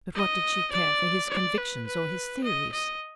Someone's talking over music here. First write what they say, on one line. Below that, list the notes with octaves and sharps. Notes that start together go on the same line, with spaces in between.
But what did she care for his convictions or his theories?
D#5
D5
D5
B4
B4
D#5
D#5